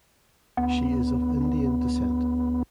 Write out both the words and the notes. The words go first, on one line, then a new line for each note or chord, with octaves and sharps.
She is of Indian descent.
D2 B3